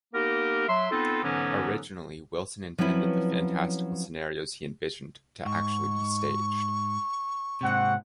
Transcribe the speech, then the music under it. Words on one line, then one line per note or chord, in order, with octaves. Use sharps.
Originally, Wilson intended the fantastical scenarios he envisioned to actually be staged.
A#3 B3 D#4 G4 A#4
F#3 E5 C6
B3 C4 D#4 F4 A4
G#2 D3 E3 F#3 B3 C#4
F3 F#3 C4 C#4 E4 B4
G#2 C#6
G#2 C3 C4 F#5